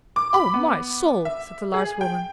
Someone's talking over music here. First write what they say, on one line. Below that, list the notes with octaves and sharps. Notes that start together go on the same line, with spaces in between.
"O my soul!" said the large woman.
D6
B5
B3
E5
G#4
G5